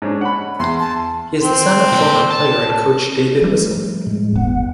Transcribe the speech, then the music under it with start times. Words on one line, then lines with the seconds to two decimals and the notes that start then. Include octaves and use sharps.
He is the son of former player and coach David Whistle.
0.02 G#2 C#4 D4
0.21 F#5 B5
0.59 E2 C6
0.80 A5
1.42 C4 C6
1.92 A#2 G5
2.31 A5
3.42 F3 G3 A3
4.07 A2 G#3
4.36 G1 E2 B3 F#5